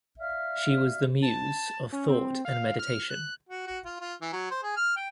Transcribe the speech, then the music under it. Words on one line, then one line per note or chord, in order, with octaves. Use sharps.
She was the muse of thought and meditation.
D5 E5 F5 F6
A5
C#4
C4
F5
F6
F#6
F#4
F#4
F4
F4
E3
F#3
C5
G#4
F6
G5